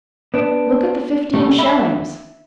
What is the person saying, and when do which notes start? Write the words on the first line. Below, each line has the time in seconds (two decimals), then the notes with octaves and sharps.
Look at the fifteen shillings!
0.34 B3 D4
1.33 C2 G3 A3
1.58 E5 B5